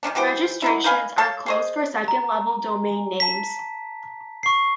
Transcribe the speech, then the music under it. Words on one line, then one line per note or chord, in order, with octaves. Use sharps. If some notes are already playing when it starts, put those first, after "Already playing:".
Registrations are closed for second-level domain names.
D#3 F3 C#4 D4
E3 F#4 G4 C5
F#3 D#4 E4
D#4 B4 F5 G#5
A4 C#5 F5 A5
G#4 C5 D#5
A#5
A5 B6
C#6 C7